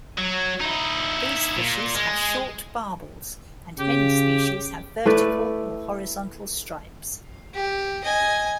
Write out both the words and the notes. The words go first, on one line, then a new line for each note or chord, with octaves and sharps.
These fishes have short barbels and many species having vertical or horizontal stripes.
F#3
D#4 E4
A#2
G#3
C#3 G4
A3 E4 B4 D5
G4
D#5 G#5